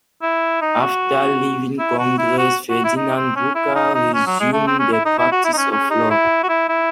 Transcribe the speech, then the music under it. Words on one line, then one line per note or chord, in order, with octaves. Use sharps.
After leaving Congress, Ferdinand Brucker resumed the practice of law.
E4
D#4
F#4
E4
F#4
E4
F#4
F#4
E4
D#4
C4
C#4
E4
D#4
D#4
C#4
F#3
G#3
A3
C4
C#4
E4
D#4
E4
F#4
E4
D#4
C#4
C#4
D#4
E4
F#4
E4
E4